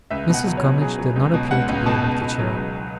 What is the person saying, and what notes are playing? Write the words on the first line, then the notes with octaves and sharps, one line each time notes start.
Mrs. Gummidge did not appear to be able to cheer up.
C#2 E5
B2
F#5
F#3
C#5
B2
F#3 G#4
F#3
C#2
B2
C#2 F#5
C#2
B2 A5
C#2
B2
F#3
C#2